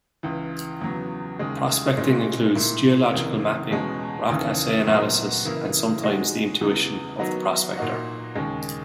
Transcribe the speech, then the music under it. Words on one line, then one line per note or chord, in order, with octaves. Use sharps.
Prospecting includes geological mapping, rock assay analysis, and sometimes the intuition of the prospector.
C#2 C#3 E3
E2 C#3 F#3 B3
D#2 C#3 G#3
A#2 G#3 C#4 E4
A#2 A#3 E4
C#2 C#3 E3 A#3
E2 B2 G#3 C#4
D#2 C#3 E3
A#2 F#3 B3 F#4
C#3 E3 A#3 E4
D#3 G#3 D#4 F#4
E2 C#3 E3 B3
D#3 F#3 B3 D#4 F#4
A#2 A#3 D#4 F#4
D#2 C#3 G#3 C#4